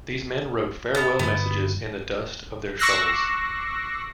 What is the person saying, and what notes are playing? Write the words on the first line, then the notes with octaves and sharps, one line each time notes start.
These men wrote farewell messages in the dust of their shovels.
B3 A4
G2 D3 G3 B3
C#6 D6 E6 F#6 A#6 C7